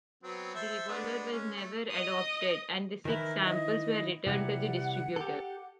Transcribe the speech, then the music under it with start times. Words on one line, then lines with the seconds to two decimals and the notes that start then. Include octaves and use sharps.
The revolver was never adopted and the six samples were returned to the distributor.
0.23 F#3 B3 C4
0.55 A4 C5 E5
0.88 G#3 B3 D4
1.32 G#3 C#4
1.55 A3
1.90 D#5 D#6
3.05 D#3 E3 E4 A#4
3.44 D#5
4.27 C3 E3 G3 F#5
5.16 G4 A4